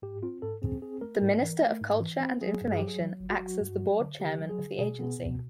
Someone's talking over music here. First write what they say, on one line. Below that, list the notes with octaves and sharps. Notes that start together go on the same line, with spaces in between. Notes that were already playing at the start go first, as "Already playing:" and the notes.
The minister of culture and information acts as the board chairman of the agency.
G#2 G4
C4 F4
G#2 A4
C4 G#4
C4 G#4
A3 A#4
G#2
E3
A3
G#2
E3
C4
F#3 G#4
G2
G#4
F#3 G4
G#4
F#3
G1
F#4
F#3
G2
F#3
D3
D3 G4
F#3
G#4
D3
B2 G#4
B3
B2